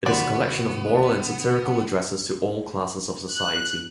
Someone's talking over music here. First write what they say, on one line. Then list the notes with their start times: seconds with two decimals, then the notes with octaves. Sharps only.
It is a collection of moral and satirical addresses to all classes of society.
0.06 D#2 C3 B3 F#4 C5 D5 B5 C6
3.33 F#6